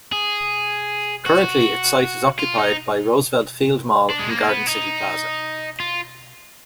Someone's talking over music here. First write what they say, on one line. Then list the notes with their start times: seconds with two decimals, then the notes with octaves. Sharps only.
Currently its site is occupied by Roosevelt Field Mall and Garden City Plaza.
0.12 G#4
1.26 F#4
2.39 F4
2.58 D#4
4.10 D4
4.19 G#3
4.29 A#3
4.48 B3
4.67 D#4
5.80 F4